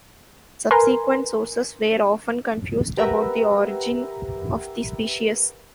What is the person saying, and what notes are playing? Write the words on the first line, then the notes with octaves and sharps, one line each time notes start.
Subsequent sources were often confused about the origin of the species.
A#4 B4 G#5 A#5 C6
G4 A#4 B4 E5 F#5 A#5